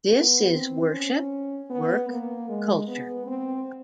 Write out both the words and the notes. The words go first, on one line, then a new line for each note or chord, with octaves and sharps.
This is worship, work, culture.
B3
C4
C#4
B3
A#3
G#3
B3
C4